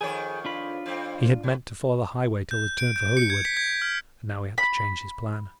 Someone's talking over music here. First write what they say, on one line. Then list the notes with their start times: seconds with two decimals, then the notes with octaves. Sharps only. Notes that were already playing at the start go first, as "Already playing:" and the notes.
He had meant to follow the highway till the turn for Holywood, and now he had to change his plan.
0.01 F2 D#3 G#4 C#5
0.45 D4 F4 B5
0.86 F2 C4
1.43 A2
2.51 G6
2.78 D7
2.96 G6
3.17 C#7
3.30 G#6
3.45 B6
3.57 G#6
3.82 F6
4.58 B5